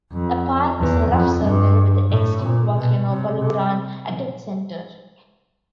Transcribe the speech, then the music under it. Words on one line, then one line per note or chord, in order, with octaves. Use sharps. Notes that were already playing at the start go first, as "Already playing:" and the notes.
The park is a rough circle, with the extinct volcano, Baluran, at its centre.
F2
E2
F2
G2
A2
A#2
B2
C3
C3